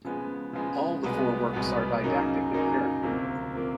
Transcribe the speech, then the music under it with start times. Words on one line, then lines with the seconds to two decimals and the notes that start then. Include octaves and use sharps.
All the four works are didactic in character.
0.05 C#3 F3 G#3 B3
0.53 C#3 F3 G#3 B3
1.04 C2 B2 G#3 B3
1.53 C2 B2 G#3 B3
2.04 F#2 C#3 F#3 A#3 D#4
2.53 F#2 C#3 F#3 A#3 D#4
3.03 D2 C3 F3 A#3
3.54 C3 F3 A#3